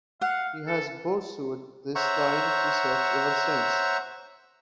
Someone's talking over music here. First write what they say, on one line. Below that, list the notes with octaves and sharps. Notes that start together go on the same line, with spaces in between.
He has pursued this line of research ever since.
F5 F#5
A4
C5 C#5 E5 F#5 A#5 C#6